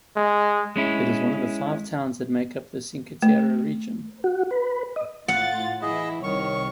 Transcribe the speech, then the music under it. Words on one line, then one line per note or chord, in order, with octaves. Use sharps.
It is one of the five towns that make up the Cinque Terre region.
G#3
G#3 C#4 E4
A3
F#4
B4
D#5
A2 F4 F#5 A6
E3 E4 G#4 D#5
C2 D#3 C#5 C#6